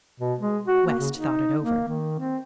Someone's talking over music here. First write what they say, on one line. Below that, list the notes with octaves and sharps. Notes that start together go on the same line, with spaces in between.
West thought it over.
B2
G#3
F#4
A#3
C#3
D#4
A#3
D#3
C4